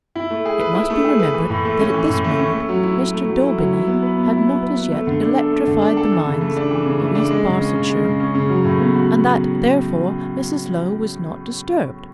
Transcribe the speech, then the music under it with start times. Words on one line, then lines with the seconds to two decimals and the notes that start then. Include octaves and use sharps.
It must be remembered that at this moment Mr. Daubeny had not as yet electrified the minds of East Barsetshire, and that, therefore, Mrs. Low was not disturbed.
0.15 E4
0.30 A3
0.45 G#4
0.60 B4
0.75 E4
0.90 A3
1.05 G#4
1.19 B4
1.34 E3
1.50 A2
1.65 A3
1.79 C#4
1.94 E3
2.09 A2
2.24 A3
2.39 C#4
2.54 A3
2.69 F#3
2.83 E4
2.98 F#3
3.13 A3
3.28 F#3
3.43 E4
3.58 F#3
3.73 E4
3.88 B3
4.03 B4
4.18 B3
4.33 E4
4.47 B3
4.63 B4
4.77 B3
4.92 A3
5.07 D3
5.22 D4
5.37 A4
5.52 A3
5.67 D3
5.82 D4
5.97 A4
6.12 E3
6.26 C#3
6.41 A3
6.57 D4
6.71 E3
6.85 C#3
7.01 A3
7.15 D4
7.31 G#3
7.45 C#3
7.61 C#4
7.75 C#3
7.90 G#3
8.04 C#3
8.20 C#4
8.35 C#3
8.50 F#3
8.64 A2
8.80 B3
8.94 F#4